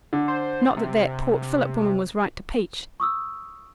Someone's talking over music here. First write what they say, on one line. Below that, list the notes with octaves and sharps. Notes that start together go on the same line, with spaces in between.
Not that that Port Phillip woman was right to peach.
D3
C5
C3
C#6 D#6 E6